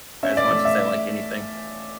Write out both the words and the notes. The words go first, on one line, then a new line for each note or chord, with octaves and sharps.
as much as they like anything.
C#4 E5
D5
A3
E5
E5